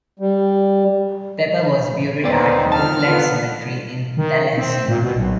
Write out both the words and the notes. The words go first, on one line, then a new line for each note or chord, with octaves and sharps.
Pepper was buried at Oakland Cemetery in Tallahassee.
G3
D#2 B3 C4 D#4 D5
D#3 F3 A5 F6
D3 B3 F4
D#3
C4
A#2
B2
B1